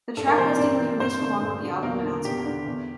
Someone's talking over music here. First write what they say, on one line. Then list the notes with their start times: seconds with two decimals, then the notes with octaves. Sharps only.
The track listing was released along with the album announcement.
0.17 G2 A4
0.27 A#3 A#4
0.37 E3 C4 C5
0.48 D4 D5
0.58 G2 D4 D5
0.79 E3
1.00 G2 C4 C5
1.20 D3
1.41 G2
1.62 D3
1.83 E2 A#3 A#4
2.03 D3
2.25 E2 G4
2.45 D3
2.66 E2